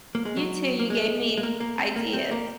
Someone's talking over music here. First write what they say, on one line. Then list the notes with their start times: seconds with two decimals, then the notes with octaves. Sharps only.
You too. You gave me ideas.
0.15 A#3
0.25 G#3
0.37 F#3
0.79 A#3
0.90 G#3
1.37 G#3
1.43 A#3
1.60 A#3
1.79 C4
1.96 A#3
2.13 C4
2.31 A#3